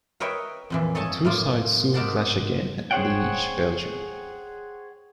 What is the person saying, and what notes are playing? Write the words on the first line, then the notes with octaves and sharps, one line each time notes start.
The two sides soon clash again at Liege, Belgium.
A#4 B4 C#5 D#5 E5 G5
F2 A#2 E3
A4 C#5 D#5 G#5 A5
A2 A#3 F4
G#2 D#4 A#4 D5 F#5 A5
G#4 C5 C#5 F#5 G5